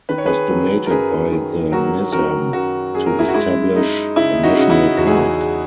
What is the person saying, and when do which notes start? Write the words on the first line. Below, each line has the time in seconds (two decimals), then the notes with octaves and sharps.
It was donated by the nizam to establish a national park.
0.09 D#3 B4
0.18 C#5
0.26 G#4 B4
0.50 F#3
0.86 A#4
0.90 F#2 G#4 B4
1.31 D#3
1.72 F#3 F#4 A#4
2.12 D#3 F#4 A#4
2.53 F#2 F#4 A#4
2.94 F#2 G#4
3.06 A#4
3.18 E4 G#4
3.29 F#4
3.34 G#3 E4
3.75 G#3 D#4
4.16 C#3 E4
4.43 D#4 F#4
4.56 C#3 F#4
4.70 E4
4.97 E2 F#4
5.07 G#4